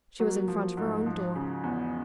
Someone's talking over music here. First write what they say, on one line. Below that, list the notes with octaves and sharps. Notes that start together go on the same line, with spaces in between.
She was in front of her own door.
F#3 A#3 F#4
F3
G#2
F3
C#3
E2